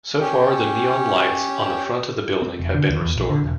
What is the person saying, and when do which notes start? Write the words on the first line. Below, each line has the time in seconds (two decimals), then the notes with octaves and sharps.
So far the neon lights on the front of the building have been restored.
0.21 C#4 G4
2.42 C4
2.60 F1
2.74 D3
2.89 D#2
3.01 E2
3.16 A#1
3.30 D3
3.44 E1